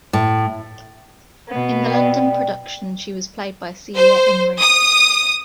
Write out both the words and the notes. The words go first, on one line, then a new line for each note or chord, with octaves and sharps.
In the London production she was played by Celia Imrie.
A2
B2 B3
D5 G5
C5
D#6